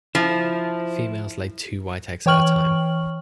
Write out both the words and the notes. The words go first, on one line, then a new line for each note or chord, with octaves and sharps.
Females lay two white eggs at a time.
F3 E4
E3 C#5 G5 C#6 F6 F#7